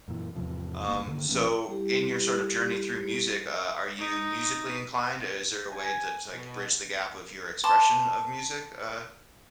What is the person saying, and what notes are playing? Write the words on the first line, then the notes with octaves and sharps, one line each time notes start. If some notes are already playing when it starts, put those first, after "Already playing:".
um, so in your sort of journey through music, uh, are you musically inclined? Is there a way th to, uh, like, bridge the gap of your expression of music, uh,
F#2 A#2 E3
E2 G#2 C3 F3
F#1 A#3
G2 D3 D#3 A#3
B1 F3 A#3 C#4
G3 E4 G4
D#4
G#5
B2
A5 C6 D6